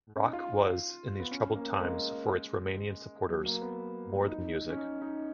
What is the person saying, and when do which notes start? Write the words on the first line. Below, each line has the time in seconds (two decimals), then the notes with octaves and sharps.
Rock was in these troubled times for its Romanian supporters more than music.
0.16 C#4
0.25 D#4
0.33 F4
1.20 B3
1.31 C#4
1.56 A#3
1.73 A#3
1.81 G#3
3.29 F#3
3.46 A#3
3.62 B3
4.28 D#4
4.70 C#4
4.77 D#4
5.02 D#4